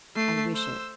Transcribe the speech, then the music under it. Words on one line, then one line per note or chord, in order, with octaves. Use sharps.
"I wish it."
A3 C7
C5 E6